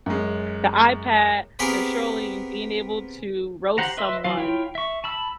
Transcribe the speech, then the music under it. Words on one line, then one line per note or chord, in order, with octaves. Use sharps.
The iPad, the scrolling, being able to roast someone,
F#2 G#3
B3 C4 G4 G#4 A#4
G4 C5 F#5 A#5
B4 D#5 E5 C6 E6
F#3 F4 F5
E4 F4 C#5 G5
E5 C#6
A5 B5 E6